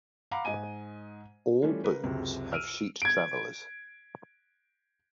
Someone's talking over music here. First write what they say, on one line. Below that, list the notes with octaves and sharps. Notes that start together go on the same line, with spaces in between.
All booms have sheet travelers.
F5 F#5 A#5 B5 D6
G#2 D#5 G#5 D#7
E3 G3 A3 C#4 F4
A#4 B4
C#2 F#2 C3
E6 F6 D7 D#7
G#6 D7